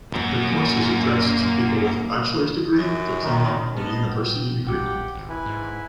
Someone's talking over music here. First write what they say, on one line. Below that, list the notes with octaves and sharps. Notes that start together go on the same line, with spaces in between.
The course is addressed to people with a bachelor's degree, diploma or university degree.
F#2 A#3
F#2
D#3
B3 D#5 A5 F6
G5
A#1 G4 F#5 G5
G#1
E4 B4 G#5
G#2